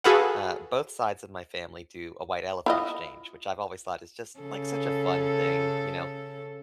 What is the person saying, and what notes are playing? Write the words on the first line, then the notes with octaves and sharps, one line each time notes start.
uh, both sides of my family do a white elephant exchange, which I've always thought is just, like, such a fun thing, you know,
F#4 G#4 A4 B4 F5 F#5
E4 F4 D#5
C#3 A4